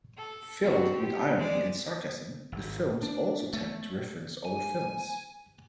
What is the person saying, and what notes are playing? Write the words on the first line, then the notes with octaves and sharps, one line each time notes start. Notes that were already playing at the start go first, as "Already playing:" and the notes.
Filled with irony and sarcasm, the films also tend to reference other films.
A4
B3 C4 F#4
G4
G#3 D5
G#1
D4
A3
G#5